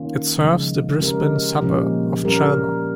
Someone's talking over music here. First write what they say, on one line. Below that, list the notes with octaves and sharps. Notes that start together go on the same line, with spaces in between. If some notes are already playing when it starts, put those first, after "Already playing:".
It serves the Brisbane suburb of Chelmer.
Already playing: D#3 A#3 C#4 F4
C#3 F3 G#3
G#3 C#4 G4 A#4
A#2 F3 G#3 C#4 G4
G3 C#4 G4 A#4